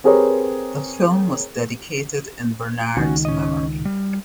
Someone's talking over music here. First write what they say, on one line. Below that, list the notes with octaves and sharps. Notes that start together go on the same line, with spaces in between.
The film was dedicated in Bernard's memory.
C4 G4 G#4 A#4 B4 C#5
C#2 D#3 C#4 F#4 G#5
C#4 D#5
G3